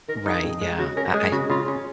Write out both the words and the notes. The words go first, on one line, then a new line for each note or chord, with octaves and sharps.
Right, yeah, I I
D#3 A#4
D#4 G#4
F2
G#3
C#3 F#4
C#4 A#4
G#3 G#4
C#3 F#4
C#3 F4
C#4